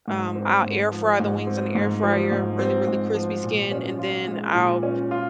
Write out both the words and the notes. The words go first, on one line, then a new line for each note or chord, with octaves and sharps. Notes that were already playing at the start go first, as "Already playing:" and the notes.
um, I'll air fry the wings in the air fryer, really, really crispy skin and then I'll,
G#2
C4
G#2
F3
G#2
C4
G#2
F3
G#2
C4
G#2
F3
A#2
C#4
F4
G#3
A#2
C#4
F4